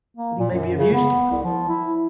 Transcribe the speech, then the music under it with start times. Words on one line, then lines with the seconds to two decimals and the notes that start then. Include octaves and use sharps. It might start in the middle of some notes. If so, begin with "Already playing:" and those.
"But he may be of use to us."
0.16 A#3
0.39 A#2
0.51 F#2
0.78 C#3
0.94 B3
1.31 C2
1.44 F3
1.69 E4